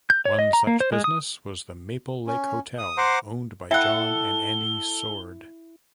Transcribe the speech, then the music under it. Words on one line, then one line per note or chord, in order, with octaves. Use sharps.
One such business was the Maple Lake Hotel, owned by John and Annie Sword.
G6
C#5
D#5
A#5
A#3
C5
G#3
D#6
C#4
D#6
C5 F#5 A#5 C6 D6
E4 A4 E5 F#5 G5 G7